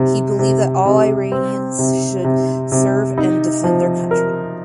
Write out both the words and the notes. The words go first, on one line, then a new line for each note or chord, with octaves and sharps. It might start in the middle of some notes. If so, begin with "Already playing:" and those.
He believed that all Iranians should serve and defend their country.
Already playing: C3
C3
C3
C4
C3
C3
C3
D#4
F3
A#4